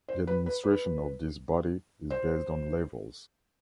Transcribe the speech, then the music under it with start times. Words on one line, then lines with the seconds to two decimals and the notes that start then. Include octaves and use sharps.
The administration of this body is based on levels.
0.08 C5
0.27 B4
0.46 B4
0.64 B4
2.10 C5